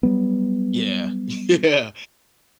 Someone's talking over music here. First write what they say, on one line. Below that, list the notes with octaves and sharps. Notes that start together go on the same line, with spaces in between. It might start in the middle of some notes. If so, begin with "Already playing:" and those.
Yeah. Yeah.
F#3 G3 B3